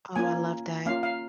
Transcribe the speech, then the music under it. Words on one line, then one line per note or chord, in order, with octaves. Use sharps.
Oh, I love that,
A#3 C#4 F4 G#5
A#3 C#4 F4 F5
F5